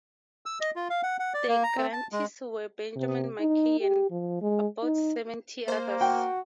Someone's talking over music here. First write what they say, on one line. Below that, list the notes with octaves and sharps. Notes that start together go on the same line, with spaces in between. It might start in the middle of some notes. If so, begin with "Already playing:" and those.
The grantees were Benjamin Mackay and about seventy others.
E6
D#5
F4
F5
F#5
F#5
D5
A#3
A#5
C4
A5
G#3
C3
D#4
G4
F3
G#3
D#4
A#3 C5
F#4 G5